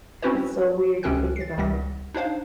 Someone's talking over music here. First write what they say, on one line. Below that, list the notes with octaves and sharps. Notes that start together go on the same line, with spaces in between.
It's so weird to think about.
C4 C#4 E4 F#4 B4 C5
C#2 C3 C#4 A4 G5 F#6
A6 C7
C#2 C3 G3 F#5 A#6
D4 D#4 C5 F5